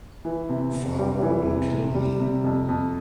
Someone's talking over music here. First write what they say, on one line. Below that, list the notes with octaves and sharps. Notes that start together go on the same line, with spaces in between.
Father will kill me.
E3
C3
C3
G3
E3
C3
C3
G3
C3
F2
F2